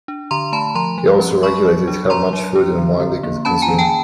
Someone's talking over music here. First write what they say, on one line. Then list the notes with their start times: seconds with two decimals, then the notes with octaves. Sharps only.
He also regulated how much food and wine they could consume.
0.08 D4
0.31 D3 A#5 C6
0.52 A3 A5 B5
0.75 F3 A#5 C6
0.98 F3
1.20 C#4
1.43 F#3 B5 C#6
1.65 F#3
1.88 D4
2.10 F#3 A#5 C6
2.33 F#3
2.55 D4
2.78 D3
3.00 D3
3.23 A#3
3.45 C#4 A5 B5
3.62 G#5 A#5
3.68 D#3
3.79 G5 A5